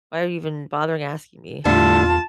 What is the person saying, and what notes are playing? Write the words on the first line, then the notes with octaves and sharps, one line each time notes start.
why are you even bothering asking me?”
E2 A2 D3 G3 F4 A5